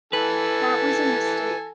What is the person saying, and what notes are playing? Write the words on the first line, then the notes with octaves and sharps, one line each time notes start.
That was a mistake.
E3 A4 B4 G#5